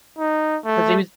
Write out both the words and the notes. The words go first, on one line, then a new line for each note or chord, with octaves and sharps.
'Cause he was
D#4
A3